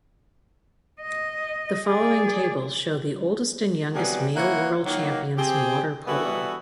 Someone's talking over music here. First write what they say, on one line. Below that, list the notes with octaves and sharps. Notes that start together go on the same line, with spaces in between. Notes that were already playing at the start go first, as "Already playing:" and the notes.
The following tables show the oldest and youngest male world champions in water polo.
D#5
G#4 D5
C3 F#3 G3 B3 F#4 G#4
A#3 E4 C#5 F#5
D#3 F#3 A#3
C4 G4 G#4
E3 G3 B3 F#4 A4 E5